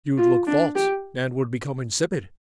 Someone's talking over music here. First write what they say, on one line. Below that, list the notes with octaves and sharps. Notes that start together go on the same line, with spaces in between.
You'd look false and would become insipid.
F4
D4
G4